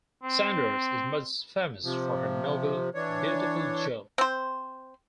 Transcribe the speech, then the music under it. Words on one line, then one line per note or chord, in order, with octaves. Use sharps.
Saunders is most famous for her novel "Beautiful Joe".
C4
C3 F3
E3 D4 C#5
C4 C5